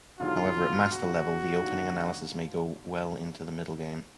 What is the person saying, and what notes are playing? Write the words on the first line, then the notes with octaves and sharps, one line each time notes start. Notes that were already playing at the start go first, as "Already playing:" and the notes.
However, at master level, the opening analysis may go well into the middlegame.
E1 D#2 D3 F#3 F4
F#4
D#2 D3 F#3